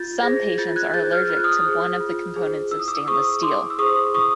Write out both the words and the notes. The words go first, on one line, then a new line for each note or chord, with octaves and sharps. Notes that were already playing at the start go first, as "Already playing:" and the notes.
Some patients are allergic to one of the components of stainless steel.
Already playing: F4 G6 A6
G#4 C5 G#6 A#6
F4 G6 A6
F#6 G#6
G#4 C5 G6 A6
F6 G6
F4 F6
F#6
D#6 F6
G#4 C5
F4
G#4 C5
E4 E6
D#6
D6 E6
G#4 C5 C#6 D#6
E4 C6 D6
E6
G#4 C5 C#6 D#6
E4 C#6 D#6